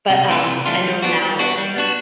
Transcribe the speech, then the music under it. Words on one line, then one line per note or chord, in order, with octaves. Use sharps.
but, um, I know now, like
C3
E3 A3 D4 F4
C3
E3 A3 D4 F4
G3
B3 D4 F#4
G3
B3 D4 F#4
G3
B3 D4 F#4